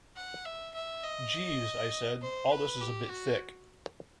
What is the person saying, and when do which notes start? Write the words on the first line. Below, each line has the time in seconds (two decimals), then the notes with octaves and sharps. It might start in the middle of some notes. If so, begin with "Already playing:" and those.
"Jeeves," I said, "all this is a bit thick."
0.16 F#5
0.45 E5
0.74 E5
1.04 D#5
2.22 C5
2.52 B4
2.81 G4
3.09 F#4